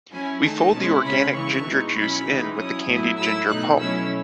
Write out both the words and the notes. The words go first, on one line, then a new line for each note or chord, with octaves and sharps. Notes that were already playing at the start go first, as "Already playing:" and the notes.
We fold the organic ginger juice in with the candied ginger pulp.
F#3 C#4 E4 G#5
D#3 A3 D#4 A5
B2 G#3 C#4 E4
C#3 G#3 C#4 B5
C#3 E3 G#3 C#6
B2 G#3 D#4
F#3 C#4 E4 B5
E3 G#3 D#4
F#3 C#4 E4 D#6
A2 F#3 B3 E4
F#3 A3 E4 E6
B2 A3 D#4 F#6
B2 F#3 A3 C#4 E4 E6